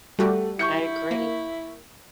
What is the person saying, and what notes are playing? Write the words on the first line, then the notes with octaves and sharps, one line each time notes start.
I agree.
G3 A3 F#4 G4
E4 C#6 G6 C#7
A#3